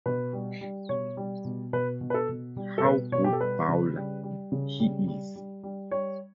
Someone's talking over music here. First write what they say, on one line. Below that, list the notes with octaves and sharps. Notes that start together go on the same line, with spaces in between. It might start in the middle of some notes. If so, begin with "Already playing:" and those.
How good bowler he is?
B2 B4
G3
G3
B2 C#5
G3
B2
B2 B4
B2
B4
A4
B2
G3
A4
B2 B4
B2 C#5
G4
A4
G3 B4
C#3
G3
G3
C#3
G3
G3
G3
G3
G3 C#5